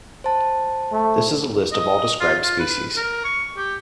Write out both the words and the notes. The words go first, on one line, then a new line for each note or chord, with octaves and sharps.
This is a list of all described species.
C5 A5
A3
D#5
F4
F4
B4
A#4
C#6
G4